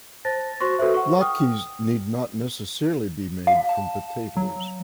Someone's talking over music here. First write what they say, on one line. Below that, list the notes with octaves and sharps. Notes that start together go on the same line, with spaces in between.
Latkes need not necessarily be made from potatoes.
C5 A5 A6 A#6
F#4 C5 C6 C#6 A#6
F#4 A4 B4 C5 E5
F#5 C#6
G5 D#6 F6
F5
A5
F#3